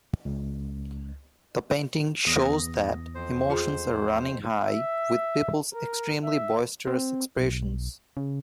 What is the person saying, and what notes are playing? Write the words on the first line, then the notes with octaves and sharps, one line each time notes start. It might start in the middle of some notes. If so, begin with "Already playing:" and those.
The painting shows that emotions are running high, with people's extremely boisterous expressions.
C#2
E2 D#6 A#6
F2 C5
F4 G#4
E5
A#4
E5
C4
B1
C#3